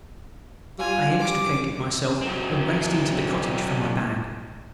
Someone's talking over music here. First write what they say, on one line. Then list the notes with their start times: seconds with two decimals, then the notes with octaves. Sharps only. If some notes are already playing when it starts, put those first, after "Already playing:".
I extricated myself and raced into the cottage for my bag.
0.79 G3 F4 G#5
1.19 D6
2.22 F#3 C4